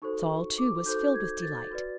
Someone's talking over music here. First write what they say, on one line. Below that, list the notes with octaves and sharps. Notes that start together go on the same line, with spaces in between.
Saul, too, was filled with delight.
D#4 F#4 A4 C5 C#6
C#6
D6
D#4 F#4 A4 C5 G6
G#6
A6
F#4 B4 D5